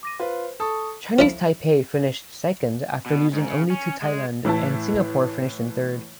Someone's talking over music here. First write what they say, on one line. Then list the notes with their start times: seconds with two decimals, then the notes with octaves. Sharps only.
Chinese Taipei finished second after losing only to Thailand and Singapore finished in third.
0.03 D6 A#6 D#7
0.20 F4 B4 C5
0.60 A4 C#6 D#6
1.19 F3 A3 E4
3.06 B2
3.33 G#2
3.48 C#3
3.70 C#4
4.02 G#3
4.45 A2 E3 E4 A5